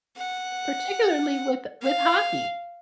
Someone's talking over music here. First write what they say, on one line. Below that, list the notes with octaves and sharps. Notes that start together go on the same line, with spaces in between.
Particularly with with hockey.
F#5
F5